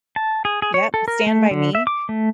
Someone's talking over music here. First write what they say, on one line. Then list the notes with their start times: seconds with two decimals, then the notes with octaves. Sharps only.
Yep, Stand By Me,
0.16 A5
0.45 G#4
0.62 G#4
0.74 C#5
0.94 A4
1.08 A#4
1.26 A3
1.51 D3
1.75 E5
1.87 D6
2.09 A3